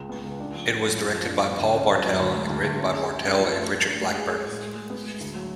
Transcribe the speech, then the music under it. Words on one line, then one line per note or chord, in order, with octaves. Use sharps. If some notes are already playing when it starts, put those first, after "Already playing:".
It was directed by Paul Bartel and written by Bartel and Richard Blackburn.
Already playing: C#2 G#3
B3
C#2
D4
F3
F3
G#3
F#2
F3
D4
B3
D2
C#4
F#3
F#3
D2
G#3
D2
D2
C#4
G#4
G#4
C#4
F3
A3
A3
D4
G#3
G#4
G#3
A2
G#3
G#3
B3
G#3
D2
F#3